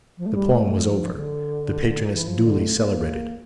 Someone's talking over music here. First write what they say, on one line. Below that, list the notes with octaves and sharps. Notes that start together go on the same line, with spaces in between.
The poem was over, the patroness duly celebrated.
F3
A3
G3
A3
A3
F3
D3
E3
F3
D3
A3
A#3